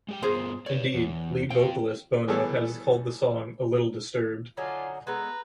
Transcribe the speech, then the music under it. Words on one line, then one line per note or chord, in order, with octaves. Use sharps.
Indeed, lead vocalist Bono has called the song "a little disturbed".
G#3 G4 G5
G2 B3 F4 G#4 A#4 C5
B4 C#5 D5
E2
C4 F4 G5
E3 G3 B3 G#4 A4 C#5
D3 F#3 D#4 F4 D5 G#5
G#3 B3 A4 B4 A#5